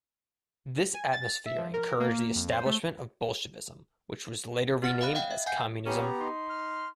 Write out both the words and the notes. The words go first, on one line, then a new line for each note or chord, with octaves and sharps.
This atmosphere encouraged the establishment of Bolshevism, which was later renamed as communism.
G#5
A6
E5
F3
A#4
A#3
F2
C5
A3
B3 F4 F#5 F6 A6
D#5 F5 B5 F#6
D#5 F5 G5
E5
F#5 G#5 G6 C7
B3 C#4 G4 G#4 A#5
D#4 C6
F6